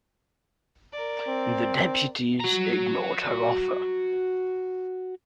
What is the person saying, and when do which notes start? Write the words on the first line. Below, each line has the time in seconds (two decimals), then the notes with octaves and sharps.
The deputies ignored her offer.
0.93 A#4 D5
1.27 C4
2.40 F#4 A#5